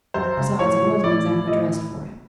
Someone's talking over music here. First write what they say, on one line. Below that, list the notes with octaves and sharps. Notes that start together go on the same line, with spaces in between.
Besides, I wasn't exactly dressed for it.'
F#2 C5
C#3
A2 C#5
F3
A2 D5
F3
A2 D#5